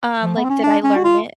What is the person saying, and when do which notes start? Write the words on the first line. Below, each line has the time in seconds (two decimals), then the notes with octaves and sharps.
Um, like, did I learn it?
0.23 F3
0.36 B3
0.45 C4
0.50 C#4
0.63 D4
0.83 C#4
0.96 F#4
1.04 F4